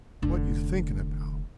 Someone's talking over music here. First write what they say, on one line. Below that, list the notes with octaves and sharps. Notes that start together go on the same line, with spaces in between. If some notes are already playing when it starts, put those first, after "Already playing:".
What you thinking about?
F1 D3